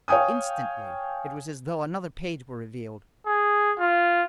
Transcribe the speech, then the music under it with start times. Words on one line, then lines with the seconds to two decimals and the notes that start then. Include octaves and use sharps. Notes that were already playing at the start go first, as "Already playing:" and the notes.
Instantly it was as though another page were revealed.
0.08 C#5 F5 G5 G#5 D#6
3.26 G#4
3.78 F4